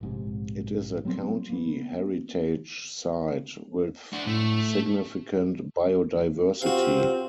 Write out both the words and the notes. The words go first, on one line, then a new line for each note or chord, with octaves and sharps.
It is a County Heritage Site, with significant biodiversity.
A#1 G#2 C3
F#3 G3 B3 C4
A#3 B3
D4 F#4
A2 A3
C3 C4 F4 F#4 F5